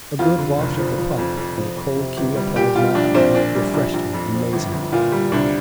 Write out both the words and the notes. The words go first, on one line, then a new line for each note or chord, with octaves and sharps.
A good wash at the pump, and a cold key applied to my eye, refreshed me amazingly.
F2 F4
D3
F1
F3
F3
F2
F2
F3
F2
C3
G1
G3
A#2 G4
G3 F4
A#1 D4
A#1 C4
A#2 D4
G3
A#1
A#1
F2
F3
G1
G1
A#2 F4
G3
C2 D4